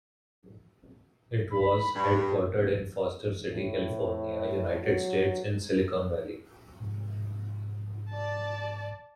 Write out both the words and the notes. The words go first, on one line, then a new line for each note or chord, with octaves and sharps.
It was headquartered in Foster City, California, United States, in Silicon Valley.
B5
G2
A2
F#3
G#2 C3 F3
D5 A5